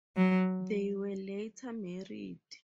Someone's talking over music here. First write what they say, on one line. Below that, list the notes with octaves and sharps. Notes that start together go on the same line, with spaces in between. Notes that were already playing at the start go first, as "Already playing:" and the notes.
They were later married.
F#3